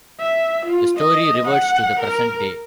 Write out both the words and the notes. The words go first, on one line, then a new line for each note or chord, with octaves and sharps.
The story reverts to the present day.
E5
F4
D#5
F#5
A#4